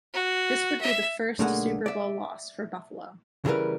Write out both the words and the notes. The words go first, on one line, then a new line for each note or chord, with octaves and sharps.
This would be the first Super Bowl loss for Buffalo.
F#4
E5
B1 D3 A3 A#3 G#4 F#5
D5 E5
C#3 E3 G3 C4 A#4 B4